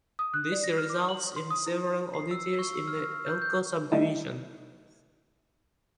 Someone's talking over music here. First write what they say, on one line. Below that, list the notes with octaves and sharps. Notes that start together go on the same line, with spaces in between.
This results in several oddities in the Elko Subdivision.
D#6
F#6
D5
A#6
F6
D6
F#7
C6
D#6
E4
C7
E6
C#6
E6
F6
F6
G6
G6
D#3 G3 A3 D#4 E4